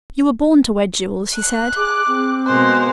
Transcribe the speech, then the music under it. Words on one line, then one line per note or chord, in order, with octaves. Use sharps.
"You were born to wear jewels," he said.
F#6
G#4 D6
C4
B2 G#3 A#3 C5 F#6